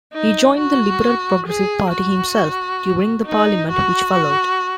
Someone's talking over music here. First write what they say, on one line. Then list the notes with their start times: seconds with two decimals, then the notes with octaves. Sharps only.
He joined the Liberal-Progressive Party himself during the parliament which followed.
0.13 D#4
0.59 F#4
1.47 G#4
1.92 F#4
3.26 D#4
3.71 F#4